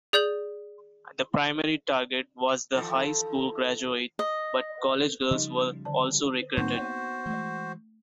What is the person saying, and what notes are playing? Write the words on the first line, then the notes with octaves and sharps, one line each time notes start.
The primary target was the high school graduate but college girls were also recruited.
G#4 D5 G6 F#7
D#3 F4 A4
D#5
C#3 F3 G3 D#4 D#5
D3 D5 A5
G#2 D3 G3 A#3 C4 D#4 F#4 C5
B3
E3 G#3 A3